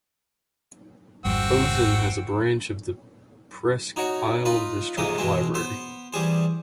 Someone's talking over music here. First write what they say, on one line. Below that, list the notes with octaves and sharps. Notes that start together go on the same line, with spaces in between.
Posen has a branch of the Presque Isle District Library.
G#1 F2 G3 C4 F#4 E6
D#4 F#4 C#5 F#5
D#4 F4 B4
F2 G#2 C3 G#3 A#3 D#6
B2 E3 G#3 C4
B3 C5 C6
E3 G3 G#4 C5